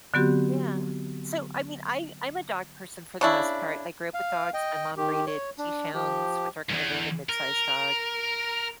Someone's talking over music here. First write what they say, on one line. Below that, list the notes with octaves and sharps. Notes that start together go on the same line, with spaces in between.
Yeah. So, I mean, I I'm a dog person for the most part, I grew up with dogs, my mom breeded Keeshonds, which are kind of a mid-sized dog.
D3 F#3 B3 C4 F#4 G4
C#3 D4 E4
F5
D#5 G5
D#3 G4
C#5
D4
F3 G4
E2 G2
A#4